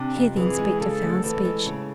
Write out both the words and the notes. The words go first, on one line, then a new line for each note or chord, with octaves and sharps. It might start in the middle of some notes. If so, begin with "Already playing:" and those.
Here the inspector found speech.
Already playing: C3 D4
F2
E3 G#4
G#3
C#3 A4
D2
E3 A4
G#3
C#3